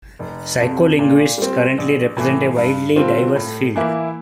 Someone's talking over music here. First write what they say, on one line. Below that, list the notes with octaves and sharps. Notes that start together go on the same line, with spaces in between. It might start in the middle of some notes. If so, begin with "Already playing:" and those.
Psycholinguists currently represent a widely diverse field.
F1
F2 C3
A#2
G3 C4
A#1
A2 E3
G2
D3 G3 C4 F4
A2
E3 A#3 E4